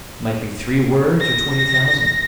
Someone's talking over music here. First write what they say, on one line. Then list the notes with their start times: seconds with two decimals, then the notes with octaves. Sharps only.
It might be three words or twenty thousand.
1.21 A#6